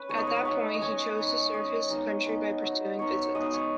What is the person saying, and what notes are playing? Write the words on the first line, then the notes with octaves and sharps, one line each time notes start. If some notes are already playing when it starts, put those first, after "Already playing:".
At that point he chose to serve his country by pursuing physics.
Already playing: C#4 B4
G#3 B3 D#4 C#5
D#5
C#5
B4
G#3 D#4 C#5
D#5
G#3 C#4 C#5
G#3 D#4
G#3 C#4 D#5
G#3 B3 D#4
G#3 B3 D#4
F#3 D#4
F#3 B3 D#4 C#5
G#3 B3 D#4 D#5
C#5